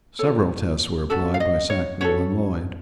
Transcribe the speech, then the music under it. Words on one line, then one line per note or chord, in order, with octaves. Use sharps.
Several tests were applied by Sackville and Lloyd.
F4 A4 C#5
C#4 F#4 A4
F5
D#5
C#5
C#4 F#4 A4 C#5